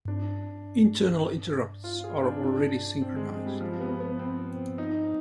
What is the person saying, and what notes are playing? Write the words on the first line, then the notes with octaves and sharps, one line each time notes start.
Internal interrupts are already synchronized.
D4
F4
G#4
D4
D4
C4
G#3
G3
F3
B3
B3
C4
D#4